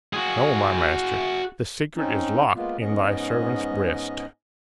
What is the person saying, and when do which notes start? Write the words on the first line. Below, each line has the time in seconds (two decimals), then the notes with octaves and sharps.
'No, my master: the secret is locked in thy servant's breast.'
0.13 F#4 G#4
1.97 C4 C#4 D#4
2.56 G#3 A#3 B3 F4
2.80 G#2 B3 C#4 D#5